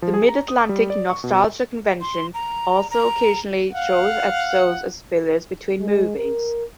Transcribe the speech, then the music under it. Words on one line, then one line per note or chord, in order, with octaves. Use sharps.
The Mid-Atlantic Nostalgia Convention also occasionally shows episodes as fillers between movies.
F3
G#4
A#5
D#6
G3
D5
C#6
B2
C6
A#5
A#5
F5 F#5
G#3
A#4